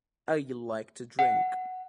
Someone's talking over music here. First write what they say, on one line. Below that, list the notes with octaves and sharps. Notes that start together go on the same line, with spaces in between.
I like to drink.
F#5